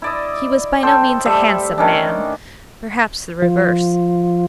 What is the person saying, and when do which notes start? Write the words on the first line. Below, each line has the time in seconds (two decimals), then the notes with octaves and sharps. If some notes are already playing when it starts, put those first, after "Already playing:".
He was by no means a handsome man--perhaps the reverse.
0.02 E4 D5 D#5
0.83 A4 C5 G5
1.25 G3 A3 E5
1.78 D#3 C#4 D4
3.42 F3